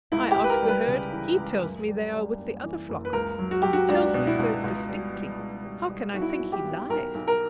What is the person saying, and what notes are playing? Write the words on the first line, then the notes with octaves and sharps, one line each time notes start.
I ask the herd; he tells me they are with the other flock; he tells me so distinctly; how can I think he lies?
C#2 E4
G4
C#2
B4
A#4
G3
B4
C#3
E3
C#2
F#2
G3
G3
F#1
E3
F#1
B4
C#2 A#4
F#3
F#4
F#3 G4
F#4
C#2 D4
B2
E4
C#2
C#2
G3
G3
C#2
G3
G3
B1 F#4
E4
F#4
B1
G4
B1
B1 A#4
B1
A#4